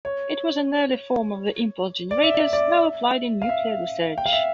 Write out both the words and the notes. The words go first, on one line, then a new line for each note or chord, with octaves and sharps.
It was an early form of the impulse generators now applied in nuclear research.
C#5
D5
E5
D5
D5
E5
F5
E5
G5
F5
E5